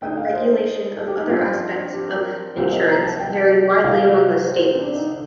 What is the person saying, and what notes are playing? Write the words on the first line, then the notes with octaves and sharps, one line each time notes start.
But regulation of other aspects of iinsurance varied widely among the states.
D3 A3 D#4 G5
F5
C5
A4
G4
D#4
G2 F3 C4 F4
G4
A#4
C2 C3 F3 A#3 C5
D#5
A#5
A5
G5
C2 C3 F3 F5
C5
C4
D4
D#4
D3